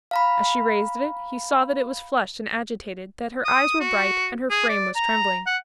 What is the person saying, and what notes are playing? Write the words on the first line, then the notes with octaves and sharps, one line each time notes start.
As she raised it, he saw that it was flushed and agitated; that her eyes were bright, and her frame was trembling.
F5 A#5 B5
D#6
F#4
G#4
D5
A#5
F#5